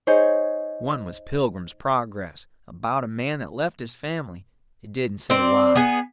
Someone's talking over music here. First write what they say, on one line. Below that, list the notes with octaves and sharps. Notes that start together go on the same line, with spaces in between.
One was Pilgrim's Progress, about a man that left his family, it didn't say why.
D#4 G#4 C5 C#5
C4 D5
B3 G#4